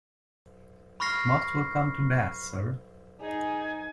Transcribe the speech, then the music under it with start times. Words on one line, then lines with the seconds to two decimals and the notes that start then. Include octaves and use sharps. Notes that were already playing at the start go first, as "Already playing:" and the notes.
Most welcome to Bath, sir.
1.00 B5 C#6 F6 A#6 C7
3.21 D#4 G#4 G#5